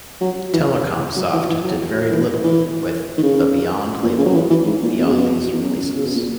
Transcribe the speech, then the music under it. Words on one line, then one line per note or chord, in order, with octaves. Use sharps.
Telecomsoft did very little with the Beyond label beyond these releases.
F#3
E3
F#3
E3
E3
F#3
E3
E3
D#3
C#3
A#2
C#3
F#3
E3
E3
G#2
A#2
B2
C#3
B2
E2
F#2
C#3
B2
A#2